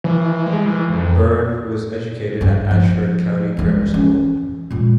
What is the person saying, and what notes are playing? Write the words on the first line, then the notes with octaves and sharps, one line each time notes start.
Byrne was educated at Ashford County Grammar School.
E3
G#3
E3
F2
G2 D4
F3
E3 G#3
E3 C#4
A#2 G#3